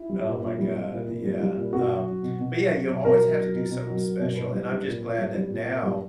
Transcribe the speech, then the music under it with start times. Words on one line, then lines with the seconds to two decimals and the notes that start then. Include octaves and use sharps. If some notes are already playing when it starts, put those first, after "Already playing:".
Oh my god. Yeah. Um, but, yeah, you always have to do something special. And I'm just glad that now,
Already playing: E4
0.09 G3
0.26 A#2
0.43 A#2
0.58 G3
0.75 G3
0.92 A#2
1.08 A#2
1.24 G3
1.40 G3
1.57 A#2
1.73 B2 F#4
1.90 F#3
2.07 F#3
2.23 B2
2.39 B2
2.56 F#3
2.72 F#3
2.88 B2
3.04 B2 A#4
3.21 F#3
3.37 F#3
3.54 B2
3.70 B2
3.87 F#3
4.03 F#3
4.20 B2
4.36 A#2 B4
4.52 G3
4.69 G3
4.86 A#2
5.01 A#2
5.18 G3
5.35 G3
5.51 A#2
5.68 A#2
5.83 G3